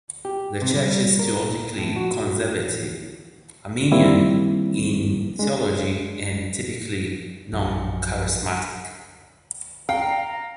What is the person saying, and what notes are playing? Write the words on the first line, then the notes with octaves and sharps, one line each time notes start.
The church is theologically conservative, Arminian in theology and typically non-charismatic.
G4
C3
G3
A#4
A2
F#4
D#3 G3 A#3 C4 E4
G#3 D4
A#1 F#2
F5 G5 A#5